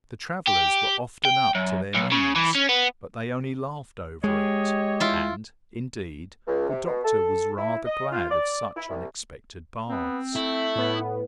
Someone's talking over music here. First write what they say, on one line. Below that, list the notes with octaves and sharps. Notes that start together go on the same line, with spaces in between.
The travellers were often up to their knees, but they only laughed over it; and, indeed, the Doctor was rather glad of such unexpected baths.
G4
G5
F#2
B1
C#3
E3
C#4
B3
G#3 G4 C#5 D#5
E4 F4
C#2
C3
B2
A4
E4
D#5
F4
D5
E4
C2
B3 C4
A3 E4
A2 B3